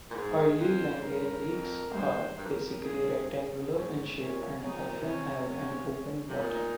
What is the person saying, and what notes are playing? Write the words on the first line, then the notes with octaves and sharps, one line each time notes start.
Early langeleiks are basically rectangular in shape, and often have an open bottom.
A#2
G#2 G#4
F2 C5
G#2
G2 A#4
F2
G2 C5
G2 A#4
F2
F2
G2 G#4
G#2 C#4
G#2
A#2 C#4
C#3 D#4
C3
A#2
C3
C#4
C#4
C3
A#2 D#4